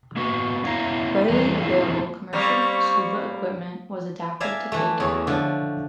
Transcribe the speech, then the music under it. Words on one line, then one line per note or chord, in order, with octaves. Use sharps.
Readily available commercial scuba equipment was adapted to cave diving.
A#3 B3 F#4
B3 C#4 E4 F5 A#5
E2 E3 G3 C#4 G#4 A#5
F#3 A#3 C4 E4 F4 G#4
G3 A#3 C4 C#6
D5 E5 F5 G#5 A#5
E3 A3
E2 C#5
D3 F3